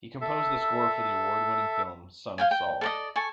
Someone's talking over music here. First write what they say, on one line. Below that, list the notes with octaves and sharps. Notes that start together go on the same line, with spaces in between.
He composed the score for the award-winning film "Son of Saul".
A4 E5
F5 G5 G#5
G5
A4 D5 D#5
A4 G#5 C#6